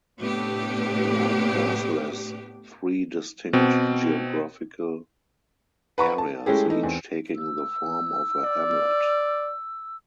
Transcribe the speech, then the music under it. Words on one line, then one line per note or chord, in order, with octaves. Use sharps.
North Castle has three distinct geographical areas, each taking the form of a hamlet.
A2 C3 A3 B3 D4 G4
B2 C4
B4 F#5 A#5 B5 C#6
A5
G#3 A3 C#4 E4 G4 G#4
E3 A3 D#4
E2 C4
E6
D5